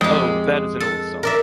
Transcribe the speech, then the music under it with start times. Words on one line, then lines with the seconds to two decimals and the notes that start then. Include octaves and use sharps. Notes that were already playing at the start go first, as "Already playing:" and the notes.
Oh, that is an old song!
0.01 F2 G#3 G4
0.80 A4
1.23 A#4 D5 E5